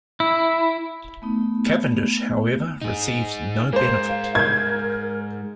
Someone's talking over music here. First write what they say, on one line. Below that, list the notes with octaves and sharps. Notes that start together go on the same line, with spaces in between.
Cavendish, however, received no benefit.
E4
A3 B3 D#4
D#4 G#4
G#2 G#3 A#3 C5
F5
A#4 G6 G#6